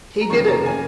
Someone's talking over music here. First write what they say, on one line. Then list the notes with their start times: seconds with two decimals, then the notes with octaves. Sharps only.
He did it.
0.21 A#5
0.30 F1 D#2 C#3 F3 C#6
0.48 A#5
0.66 C#3 A#3 G#5